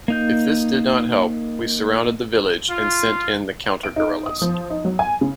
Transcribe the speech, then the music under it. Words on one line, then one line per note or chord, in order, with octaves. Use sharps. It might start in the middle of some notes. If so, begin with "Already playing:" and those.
If this did not help, we surrounded the village and sent in the counter-guerrillas.
A#3 D#4 G6
F4
D7
D#4
D#6
F3
D#4
F#3
G#5
C#3